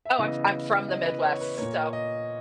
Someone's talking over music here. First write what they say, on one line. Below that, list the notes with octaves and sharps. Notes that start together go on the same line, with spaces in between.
Oh, I'm I'm from the Midwest, so
E5
C#3 E3 B3 D#5
D#5
B4
C#5
B4
A#2 A#3 C#5
D#5